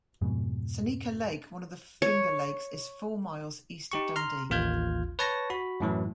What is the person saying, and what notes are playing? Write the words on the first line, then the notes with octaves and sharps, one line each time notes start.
Seneca Lake, one of the Finger Lakes is four miles east of Dundee.
F2 G#2 B2
C#5
D#4 G4 C#6
A#5 C6 F6
A1 D#2 F4 F6 G6 G#6
B4 C#5 A5 C#6 A#6
F#4 B5
F#2 A2 E3 F#3